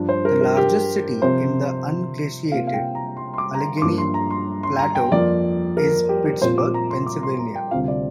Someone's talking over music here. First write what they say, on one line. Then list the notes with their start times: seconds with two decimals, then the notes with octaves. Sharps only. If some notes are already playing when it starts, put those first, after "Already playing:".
The largest city in the Unglaciated Allegheny Plateau is Pittsburgh, Pennsylvania.
Already playing: G2 F3 D4
0.09 C5
0.25 A#4
0.41 A#4
0.57 G4
1.22 C3 F3 C4 F4 C5
2.52 C3 A#3 F4 F5
2.67 F5
2.74 G5
2.95 A#5
3.17 C6
3.34 C6
3.38 D6
3.54 A#5
3.60 C6
3.77 C6
3.82 G2 F3 A#3 D6
3.98 C6
4.14 A#5
4.30 C6
4.63 C6
4.79 A#5
4.95 G5
5.11 F2 F3 A#3 F4 D5
5.77 A#4
6.09 G4
6.26 G4
6.42 A#2 F3 C4 F4 C5
6.58 D6
6.74 A#5
6.91 C6
7.07 D6
7.23 C6
7.39 A#5
7.55 G5
7.71 D2 C3 G3 C4 F4 F5
7.88 D5